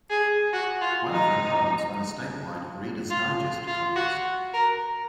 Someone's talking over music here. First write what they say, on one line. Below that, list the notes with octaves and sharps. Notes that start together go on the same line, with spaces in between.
One of her poems won a statewide "Reader's Digest" contest.
G#4
F#4
F4
D#4
F4
F4
F#4
A#4